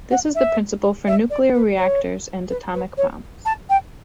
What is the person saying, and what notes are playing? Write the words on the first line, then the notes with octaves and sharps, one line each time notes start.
This is the principle for nuclear reactors and atomic bombs.
F#5
E5
E5
D5
B4
C#5
B4
B4
C#5
A5
G5